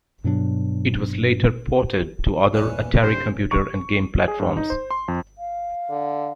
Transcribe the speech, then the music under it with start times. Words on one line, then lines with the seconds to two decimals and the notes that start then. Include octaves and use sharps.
It was later ported to other Atari computer and game platforms.
0.24 G2 B2 F#3 D4
2.54 E2 G2 A#2 E3 C#4 D5 F#6
3.03 F2 C3 D4 G4 B4 C5
3.51 C#6
4.28 G#4
4.40 G2
4.57 D#4
4.70 C5
4.91 C6
5.08 F2
5.38 F5
5.90 D3